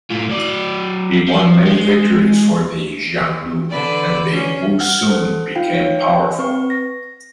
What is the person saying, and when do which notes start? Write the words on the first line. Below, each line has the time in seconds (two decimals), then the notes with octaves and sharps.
He won many victories for the Xiongnu and the Wusun became powerful.
0.11 A2 F4
0.30 F#3 D5
1.28 F3
1.67 G#3
3.21 E3
3.70 D3 B4 D5
4.34 C#4
4.80 F#5 F6
5.08 A4 C5
5.56 D#4 F4 F5 G5
5.74 C#5
6.39 C4 B4 C#6
6.70 A#6